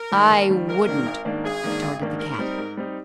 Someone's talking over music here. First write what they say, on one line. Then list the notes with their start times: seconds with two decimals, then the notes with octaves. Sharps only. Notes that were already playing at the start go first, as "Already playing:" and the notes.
"I wouldn't!" retorted the cat.
Already playing: A#4
0.11 D#3 G3
0.30 D#2
0.49 D#3 G3
0.68 G#1 A#4
0.87 G#2 D#3 A#3 D4
1.06 G#1
1.25 G#2 D#3 A#3 D4
1.44 G#1 G#4
1.63 G#2 D#3 A#3 D4
1.82 G#1
2.01 G#2 D#3 A#3 D4
2.20 G#2 A#4
2.39 G3 C4 D#4
2.58 G#2
2.77 G3 C4 D#4